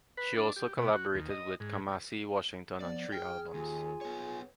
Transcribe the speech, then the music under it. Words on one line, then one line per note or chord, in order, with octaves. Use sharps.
She also collaborated with Kamasi Washington on three albums.
B4
D4
G4
B2
F#4
D#2
D#5
G#2
F3 B3 D5
G#4 G5 F6
D#2 F4 G#5
B3 C#5